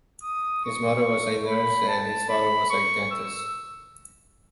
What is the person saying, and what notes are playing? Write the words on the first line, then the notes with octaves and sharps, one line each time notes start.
His mother was a nurse and his father was a dentist.
D#6
C#6
B5
A5
B5
C#6
E6